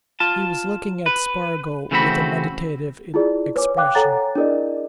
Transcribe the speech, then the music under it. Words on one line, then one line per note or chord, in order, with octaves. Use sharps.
He was looking at Spargo with a meditative expression.
F4 A5
B4
C#3 E3 A3 C4 F#4 B5
E4 F4 G#4 D5
B4 C#5 G#5 D6
F5 G5 D6 F#6
A4 C#5 F#5 G#5 A#5 A6
D4 E4 G#4 A#4 D5 D#5